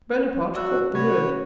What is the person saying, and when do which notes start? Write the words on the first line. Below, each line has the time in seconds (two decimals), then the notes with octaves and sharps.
Bonaparte caught the word.
0.55 F#3 F#4 D5 E6 F#6
0.94 C3 A3 F#4 B4 C#5 G#6
1.11 C#4